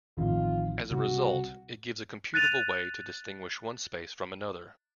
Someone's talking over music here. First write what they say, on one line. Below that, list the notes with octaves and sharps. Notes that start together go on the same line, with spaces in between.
As a result, it gives a computable way to distinguish one space from another.
A1 A2 D#3 F3 C4 F4
C2 C#3 F#4
F#6 A6 D#7 F7